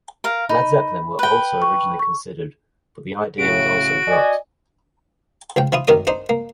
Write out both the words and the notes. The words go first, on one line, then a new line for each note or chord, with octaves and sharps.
Led Zeppelin were also originally considered but the idea was also dropped.
A#4 F5
D#4 B5
B4 G5
C#6
C#6
A2 C#3 F#4 D7
D5 D#5 G#5
C#2 F3 G5
F3 E4 F4 D#6
F#2 D#3 A#4 D5 D#6
D4 D#4 C5
A#3